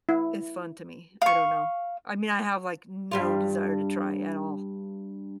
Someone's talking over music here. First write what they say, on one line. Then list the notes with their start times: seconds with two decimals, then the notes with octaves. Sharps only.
as fun to me. I don't know. I mean, I have, like, no desire to try at all.
0.09 E4
1.22 F5 C#6
3.11 G2 G3 F4